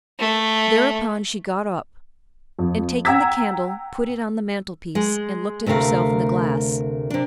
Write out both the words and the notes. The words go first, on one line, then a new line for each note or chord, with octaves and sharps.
Thereupon she got up, and, taking the candle, put it on the mantel-piece and looked at herself in the glass.
A3
F2
F#5 G5 A#5 E6 G#6 B6
G#3
D2 C3 A3 A#4 F5
C3 D4